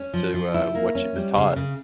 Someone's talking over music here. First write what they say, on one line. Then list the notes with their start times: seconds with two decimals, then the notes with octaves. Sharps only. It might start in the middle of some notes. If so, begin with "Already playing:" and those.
to, uh, what you've been taught,
Already playing: C#4
0.14 F3
0.34 F3
0.54 E4
0.75 A#3
0.95 C#4
1.16 G3
1.36 C#3
1.56 C#3